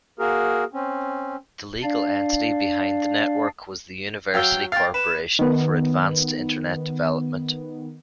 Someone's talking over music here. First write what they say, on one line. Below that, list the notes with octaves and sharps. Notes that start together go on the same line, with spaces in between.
The legal entity behind the network was the University Corporation for Advanced Internet Development.
A#3 F#4 G#4 A#4
C4 C#4
D4 D5 F5
F#3 F5 G5 E6
F5 G5 A6
B4 E7
D#3 B3